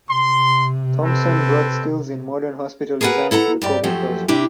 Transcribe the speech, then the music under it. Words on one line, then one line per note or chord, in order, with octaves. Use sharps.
Thompson brought skills in modern hospital design to the Kobe project.
C3 C6
C4 A4 B4
G#4 A#4 B4 D5 F#5 A#5
E4 A4 F#5 A#5
G2 G4 D5
F#2 F3 F#3 A3 G4
C3 D4 E4 G4